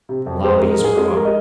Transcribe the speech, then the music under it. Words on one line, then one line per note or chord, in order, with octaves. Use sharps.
Lobbies grew up.
C3
F2
G#3 C5
A#4
G#3
A#4
G#2 G#4
G#3
G#3 A#4
D#5